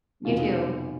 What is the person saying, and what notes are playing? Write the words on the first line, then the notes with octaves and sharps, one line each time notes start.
You too.
F1 E2 B2 F4